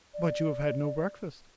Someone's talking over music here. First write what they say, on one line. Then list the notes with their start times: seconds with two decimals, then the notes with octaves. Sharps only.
"But you have had no breakfast."
0.14 D5